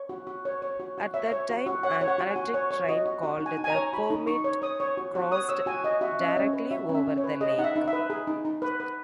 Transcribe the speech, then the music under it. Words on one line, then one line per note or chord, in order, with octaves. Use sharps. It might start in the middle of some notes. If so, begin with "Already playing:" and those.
At that time, an electric train called the "Comet" crossed directly over the lake.
Already playing: C#5
F#4
F#4
C#5
C#5
F#4
F#4
C#5 E5
C#5
F#4
F#4
C#5 F#5
C#5
F#5
F#4
G#5
F#4
C#5
C#5
F#4 D#5
F#4
F#4 F#5
D#4
G#5
D#4
G#5
A#5
C#5
F#4 B5
D#4
D#4 C#6
C#5
C#5 D#6
C#5
F#4
F#4
C#5 D#6
C#5 E6
F#4 G#5
F#4 D#5
F#4 E5
C#4 E5
D#5
C#4 C#5
B4
F#4 E5
C#4
E5
C#4
C#5
B4
G#4 D#5
D#4 F#5
E5
D#4
E5
B4
G#4
D#4
D#4
B4
B4